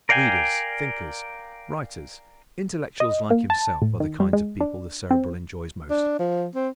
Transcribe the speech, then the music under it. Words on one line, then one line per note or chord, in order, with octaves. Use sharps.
Readers, thinkers, writers--intellectuals like himself--are the kinds of people the Cerebral enjoys most.
A#4 D5 F5 G5 G#5
D#5
A#3
A5
A2
D#3
G3
G#3
D4
C4
D4
F3
C4